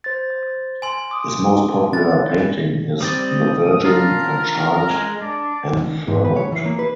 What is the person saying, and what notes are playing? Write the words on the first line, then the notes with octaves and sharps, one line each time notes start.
His most popular painting is "The Virgin and Child Enthroned".
C5 A6
G#5 C6
D6 D#6
E4 A6
G3 C4 D5 D#6
D4 F4 A#4
G#3
D4 D5
G#2
B4
C#5
E3
A#3
B4